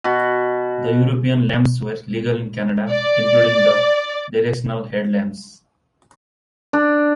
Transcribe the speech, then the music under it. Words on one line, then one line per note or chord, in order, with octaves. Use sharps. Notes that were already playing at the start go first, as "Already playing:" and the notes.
The European lamps were legal in Canada, including the directional headlamps.
B2 F#4
D5
D4